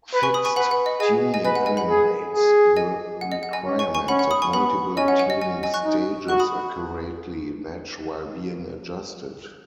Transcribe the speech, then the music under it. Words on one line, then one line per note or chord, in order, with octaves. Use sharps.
Fixed tuning eliminates the requirement that multiple tuning stages accurately match while being adjusted.
B4
G#5 C#6
B5 D#6
G#5 C#6
B4 F#5 B5
F#5
D#5
G#4 D#5 G#5
D#5 G#5
B4 D#5 G#5
F#5
D#5 G#5
F#5 B5
G#4
G#4
D#5 G#5
F#5
D#5
F#5
D#5 G#5
C#4
G#5 C#6
G#5 C#6
C#4 F#5 B5
F#5
B5 D#6
G#5 C#6
B3 F#5 B5
C#4 D#5 G#5
F#5
F#5
D#5
D#5 G#5
D#5 G#5
C#6 F#6
D#4
F#4 C#6 F#6
B5 D#6